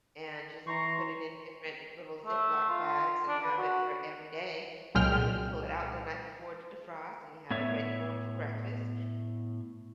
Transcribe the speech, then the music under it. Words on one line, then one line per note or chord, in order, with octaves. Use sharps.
and just put it in different little Ziploc bags and have it for every day. You know, you pull it out the night before to defrost, and you have it ready for him for breakfast
E3 A#5 C6 C#6
A3
F4
D4
B4
F#4
C2 A#2 F#3 G#3 G5 F6
A2 B3 C#5 E5